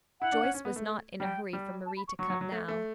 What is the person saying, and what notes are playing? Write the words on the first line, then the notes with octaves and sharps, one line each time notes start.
Joyce was not in a hurry for Marie to come now.
E4 F#5
D4
C#4
C#4
B3
A3
G3 G5
G3
A5
B5
C#6
F#3 C#6
F#3
F#3
A3
A3